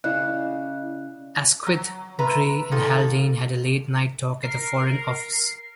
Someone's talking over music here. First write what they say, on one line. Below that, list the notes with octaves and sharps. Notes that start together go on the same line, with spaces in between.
Asquith, Grey and Haldane had a late night talk at the Foreign Office.
C#3 E4 D5 D#5 F#6
F#3
C3 B4 A#5
A#2 D#3 A4
A#4 C7